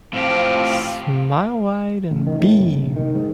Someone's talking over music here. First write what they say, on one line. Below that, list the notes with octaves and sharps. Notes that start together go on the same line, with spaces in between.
Smile wide and beam.
A2 F3 C4 G4 F5
A1
D#3
A2
F#1
G1
A#1
D#3
G#2